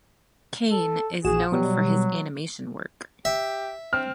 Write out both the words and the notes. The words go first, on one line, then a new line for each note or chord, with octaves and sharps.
Kane is known for his animation work.
A4
A#1 F#4 G#4 E7
B2 F#3 G3
G4 E5
C4 F6